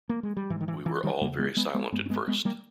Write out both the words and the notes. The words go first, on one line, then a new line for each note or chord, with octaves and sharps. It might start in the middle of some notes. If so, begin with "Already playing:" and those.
We were all very silent at first.
A#3
G#3
G3
G#2 E3
D#3
E3
E3
D#3 G3
E2 C#3 G3 A#3
G#3 B3
G#3 B3
G#3 B3
G2 G#3 B3
C#4
G#3 B3
G#3 B3
G3 A#3